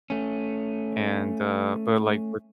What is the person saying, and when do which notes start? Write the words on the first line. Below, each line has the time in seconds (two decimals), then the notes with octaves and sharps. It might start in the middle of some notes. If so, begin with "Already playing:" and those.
and, uh but, like, with
0.10 A3 C#4